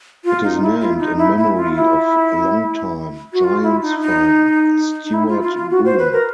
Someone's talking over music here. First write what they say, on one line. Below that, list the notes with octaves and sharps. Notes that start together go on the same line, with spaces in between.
It is named in memory of long time Giants fan Stewart Boone.
F4
D#4
E4
F4
D#4
E4
E4
F4
E4
F#4
F4
E4
D#4
D#4
D#4
E4
F4
F4
F4
F#4
C5
B4
A#4